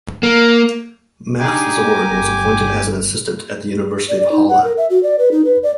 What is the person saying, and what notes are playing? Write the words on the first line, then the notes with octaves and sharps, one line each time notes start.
Max Zorn was appointed as an assistant at the University of Halle.
A#3
D4 D#4 G4 G#4 G#5 D6
A#3 A#4
G1
D5
D5
D#4
F#5
A#4
E5
F#4
D5
B4
D#4
B4
D5